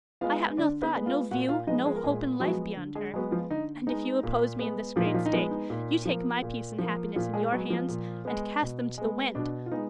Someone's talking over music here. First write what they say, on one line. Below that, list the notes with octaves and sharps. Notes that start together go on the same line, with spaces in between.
I have no thought, no view, no hope in life, beyond her; and if you oppose me in this great stake, you take my peace and happiness in your hands, and cast them to the wind.
G#3 B3 F4 F5
D3 D4 D5
B3 B4
G#3 B3
F4 F5
A#2 F#4 F#5
F4 F5
F3 G#3 B3 D#4 D#5
G#3 G#4
A#4
A#2 G#3 G#4
F3 F#3 G#3 B3 F#4
D3
G#3 G#4
F#3 G#3 B3 F#4
F3 F4
D3 D#4
G#3 B3 D#4
A#2
G#3 B3
A#2 F3 F4
D#4
F3 F4
D#4
F3 G#3 B3 F4
D#4
A#2
F3 A#3
A#2
F3 A#3
A#2 F3 F4
G#3 G#4
F#3 G#3 B3 F#4
F3 F4
A#2
G#3 B3
B2
G#3 B3
B2 D4
F4
G#3 B3 D#4